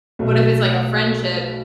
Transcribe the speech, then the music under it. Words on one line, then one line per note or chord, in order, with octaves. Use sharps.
But if it's, like, a friendship,
B1 B2 A3